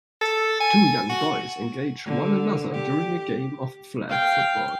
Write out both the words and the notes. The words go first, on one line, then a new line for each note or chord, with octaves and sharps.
Two young boys engage one another during a game of flag football.
A4
G#5
F#4
D3
G4
F5 G5